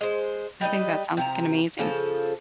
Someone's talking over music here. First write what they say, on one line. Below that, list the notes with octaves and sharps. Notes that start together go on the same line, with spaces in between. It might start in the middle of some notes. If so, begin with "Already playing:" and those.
I think that sounds like an amazing
G#3 C5
G3 D#4 B4 D#5
C3 F3 A#5
C#3 F3 A4